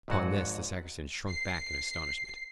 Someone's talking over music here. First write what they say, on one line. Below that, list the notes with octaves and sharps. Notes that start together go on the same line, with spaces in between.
Upon this the sacristan shrunk back in astonishment.
G#1 F2 G#2 F#3 F#4 F#5
C7